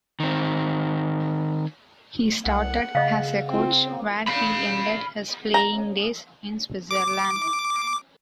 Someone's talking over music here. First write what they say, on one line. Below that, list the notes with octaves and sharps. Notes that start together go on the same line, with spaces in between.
He started as a coach where he ended his playing days—in Switzerland.
D#3 C4
C2 F#5
C#3 D#5 F5
C4
F5 B5
A#5
D6